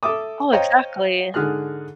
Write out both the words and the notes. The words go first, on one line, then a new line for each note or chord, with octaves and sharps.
Oh, exactly.
A4 E5 D6 D#6
C5 C#5 D#5 F5 G5 A#5
G#2 D3 G#4 F6 F#6